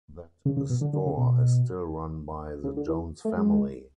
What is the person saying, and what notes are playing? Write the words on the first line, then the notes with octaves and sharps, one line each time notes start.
That store is still run by the Jones family.
C#3
C#3
B2
D3
D3
C#3
B2
C#3
D3
E3
A3
G#3